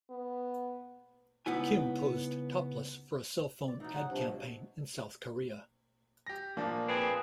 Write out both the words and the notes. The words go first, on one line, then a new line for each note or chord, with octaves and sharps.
Kim posed topless for a cell phone ad campaign in South Korea.
B3
C#2 B3 D#4 E4 G#5
D5
B2 E3 D#4
C#5 F#5
G2 C3 F3
B2 F#3
G4 A#6
A#2 F3 A#3 D4
C4 G#4 B4